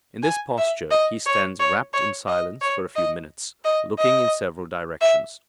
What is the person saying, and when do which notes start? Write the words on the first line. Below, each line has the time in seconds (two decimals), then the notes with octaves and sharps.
In this posture he stands rapt in silence for a few minutes, looking in several directions.
0.23 G#5
0.58 E5
0.91 D#5
1.26 C#5
1.60 C#5
1.94 C#5
2.28 D#5
2.62 C#5
2.96 D#5
3.65 D#5
3.99 D#5
5.01 E5